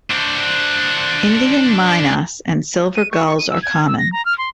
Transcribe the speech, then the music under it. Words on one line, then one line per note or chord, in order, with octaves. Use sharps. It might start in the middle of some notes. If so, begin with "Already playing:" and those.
Indian mynas and silver gulls are common.
D4 C5
D#7
C#6
C#6
D#7
E6
G#6
E6
A#6
A#5
F6
C6